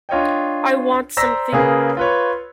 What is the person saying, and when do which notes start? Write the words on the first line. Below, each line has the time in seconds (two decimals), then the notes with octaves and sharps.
I want something.
0.09 D4 F4 C#5 D#5 G5
1.17 C5 D5 A#5 E6 A#6 B6
1.52 C#3 A#3 G#4 B4
1.97 F4 B4 C#5